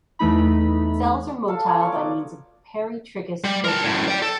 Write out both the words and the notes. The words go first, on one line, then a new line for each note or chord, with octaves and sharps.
Cells are motile by means of peritrichous flagella.
E2 E3 A3 D#4 B5
A4 F5
F4 C#5 A#5
D5 F5 C#6
B2 D5 D6
G3
A#4 A5
F#2 A2
D5 G5
A4